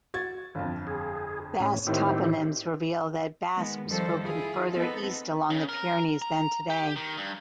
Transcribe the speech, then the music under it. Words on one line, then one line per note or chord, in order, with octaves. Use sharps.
Basque toponyms reveal that Basque was spoken further east along the Pyrenees than today.
F#4 G#6 A6
G1 F2
G#4
A2 C#4
A2 D#3 C4 D#4 E4 G4
D#3 G#3 B3
F2 D#3 F3 G3 A4 C5
E4 F4 G#4
B3 C4 D#4 A4
C#3
A#4
A#5
G4
D#3
G2